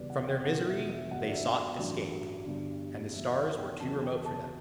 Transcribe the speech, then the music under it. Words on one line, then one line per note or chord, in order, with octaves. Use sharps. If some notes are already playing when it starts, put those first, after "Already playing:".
From their misery they sought escape, and the stars were too remote for them.
Already playing: F#1 E2 B2 G3 B4 D5
F#5
G5
E1 E2 D3 F#3 F#5
E5
E5
G1 G2 F#3 F#5
E5
D5
E5
D5
A1 G2 F#3
G1 G2 D3 G3
E2 B2 G3 E5
F#5
G5
E2 C#3 F#3 A5
G5
A5